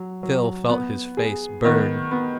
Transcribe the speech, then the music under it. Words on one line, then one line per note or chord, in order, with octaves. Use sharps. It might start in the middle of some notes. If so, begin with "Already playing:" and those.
Phil felt his face burn.
Already playing: F#3
F#3
B3
G#4
D#3 B3
B3